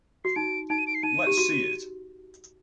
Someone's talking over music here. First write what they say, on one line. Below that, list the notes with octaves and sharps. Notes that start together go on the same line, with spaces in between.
Let's see it!
F#4 C7
D#4 D7
D#4 D7
D#7
D7
C7
D#4 D#7
G4
F#4